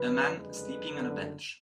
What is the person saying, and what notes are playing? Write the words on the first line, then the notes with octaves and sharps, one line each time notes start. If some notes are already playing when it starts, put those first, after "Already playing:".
A man sleeping on a bench.
Already playing: F#2 D3 F#3 C#4 B4
F#1 F2 D3 G#3 B4
F#1 F#2 D3